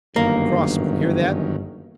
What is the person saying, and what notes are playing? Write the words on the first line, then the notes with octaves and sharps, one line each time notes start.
Crossman! hear that?
G1 F#2 D#3 A#3